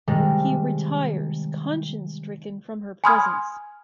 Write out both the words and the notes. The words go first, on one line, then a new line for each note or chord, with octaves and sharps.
He retires conscience-stricken from her presence.
C3 D#3 G3 G#3
G#5 B5 C6 D#6 F6 G#6